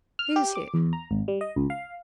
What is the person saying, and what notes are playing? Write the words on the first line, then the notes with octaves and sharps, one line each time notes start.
"Who's here?"
F6
G4
D6
E2
A#5
G#1
G3
D#5
C#2
F5